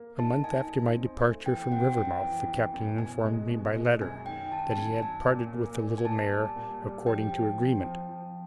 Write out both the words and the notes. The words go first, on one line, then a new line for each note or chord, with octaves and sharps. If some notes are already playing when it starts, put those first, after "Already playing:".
A month after my departure from Rivermouth the Captain informed me by letter that he had parted with the little mare, according to agreement.
Already playing: A#3
D#4 A5
D#4 G#5
D#4
C4
A3
E3 G5
G5
C4 F#5
F#2 G5
E3
E3
F#2
B2 G#5
G#3
B2
G#3
F#2 G#5
D#3 G5
D#3 A5
A5
F#2 G#5
F#3 G#5
A#2
A#3
A#2
G#5
A#2 A5
G3
A#2
G3
F3 G5
F3
C4
F3
F3